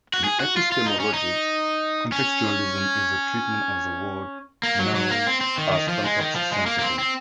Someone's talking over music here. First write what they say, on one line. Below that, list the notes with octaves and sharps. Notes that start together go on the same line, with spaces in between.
In epistemology, contextualism is the treatment of the word 'knows' as context-sensitive.
F#4
G#4
F#4
F4
F4
D#4
C#4
D#4
C#4
A#3
F#3
F#3
A#3
C4
C4
D#3
D#3
F3
G#3
D#3
F3
G#3
A#3
A#3
C4
C4